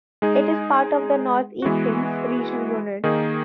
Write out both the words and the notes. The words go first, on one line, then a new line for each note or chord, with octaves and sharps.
It is part of the North Athens regional unit.
G#3 D#4 G#4
E3 G#3 B3 F#4
D#3 A#3 D#4 G#4